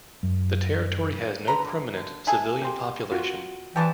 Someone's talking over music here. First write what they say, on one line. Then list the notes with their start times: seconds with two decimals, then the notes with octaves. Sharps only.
The territory has no permanent civilian population.
0.23 F#2
1.48 D3 B4 A#5
1.97 D3
2.27 G#4 A4 E5 G#5
2.62 G4 C6
3.12 F4 F#4
3.76 C#3 E3 F3 G3 G5 A5 D6